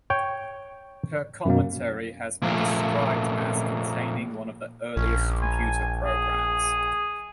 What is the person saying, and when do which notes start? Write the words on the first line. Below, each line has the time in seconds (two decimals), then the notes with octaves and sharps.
Her commentary has been described as containing "one of the earliest computer programmes".
0.10 C#5 G5
1.45 F#2 B2 A#3
2.42 A#2 F3 A3 A#3
4.96 A#1 C#4
5.42 G#5
6.05 G#4